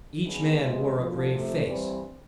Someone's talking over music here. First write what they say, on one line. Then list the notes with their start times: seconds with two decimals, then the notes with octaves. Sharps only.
Each man wore a grave face.
0.22 C#3 E3 G#3 B3 D4
0.57 C3 E3 G#3
0.93 D2 D3 F3
1.29 C3 F3 A3
1.64 G2 E3 G3 C4